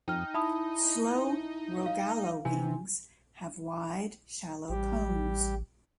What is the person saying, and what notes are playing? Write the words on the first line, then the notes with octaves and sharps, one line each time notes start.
Slow Rogallo wings have wide, shallow cones.
F2 D#4 G5 F6
E4 A5 B5 D#6
F5
C3 E3 G#5
A1 G3 G4